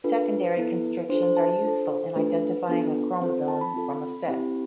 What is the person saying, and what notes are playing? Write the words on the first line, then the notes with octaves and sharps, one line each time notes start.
Secondary constrictions are useful in identifying a chromosome from a set.
D4 F4 A4 B4
B3 E4 A4
D4 F4 A4 C5
C5
A5
C5
D4 F4 A4
A3 D4 F4 A4 B4
B3 D4 F4 A4
C4 F4 A4 C5
A5
B5
C4 F4 A4
C4 E4 G4